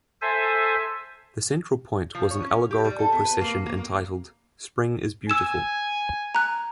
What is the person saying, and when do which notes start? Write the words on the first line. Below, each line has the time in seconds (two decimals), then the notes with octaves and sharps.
The central point was an allegorical procession entitled "Spring is Beautiful".
0.22 A4 C5 E5 G#5
2.15 F3
2.31 C#5
2.43 C#4
2.71 G4
2.84 G3
2.99 A4
3.12 B3
3.25 B4
3.41 A#3
3.66 A#3
3.77 A#3
5.30 G#5 E6 E7
6.35 A#5 F#6